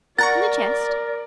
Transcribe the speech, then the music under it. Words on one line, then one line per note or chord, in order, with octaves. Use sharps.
"In the chest."
A#4 D5 F#5 A#5 C#6 A6